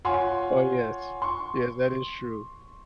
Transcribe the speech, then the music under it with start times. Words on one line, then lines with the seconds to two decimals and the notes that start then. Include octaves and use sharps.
Oh, yes. Yes. That is true.
0.05 F4 C#5 F5 F#5 G#5 C6
1.22 C6 C#6